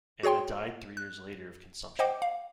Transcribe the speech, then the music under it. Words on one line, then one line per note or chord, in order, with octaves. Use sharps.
Anna died three years later of consumption.
F#4 G#4 C#5 G5 C6
F#6
C5 D#5 F#5 G5 D6
F5